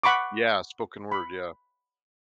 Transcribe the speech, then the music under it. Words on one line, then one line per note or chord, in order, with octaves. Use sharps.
Yeah, spoken word, yeah.
F#5 B5 C#6 D6
B5